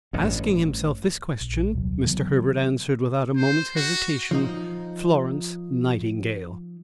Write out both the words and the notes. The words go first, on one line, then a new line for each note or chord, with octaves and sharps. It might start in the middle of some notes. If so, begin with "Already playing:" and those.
Asking himself this question, Mr. Herbert answered without a moment's hesitation: "Florence Nightingale!"
A1 G2
A#1
D#1 C2 F#3
C#3 E3 F#3 B3
C5
F#4
F3 D#4